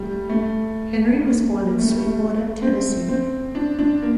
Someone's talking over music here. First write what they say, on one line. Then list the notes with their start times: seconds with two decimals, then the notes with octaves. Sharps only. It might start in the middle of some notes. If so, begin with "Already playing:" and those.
Henry was born in Sweetwater, Tennessee.
Already playing: G3 A3
0.29 A3
1.22 A#3
1.68 A#3
1.79 A3
1.88 G3
1.99 A3
2.62 C4
3.09 C4
3.55 D4
3.79 D4
4.02 A#3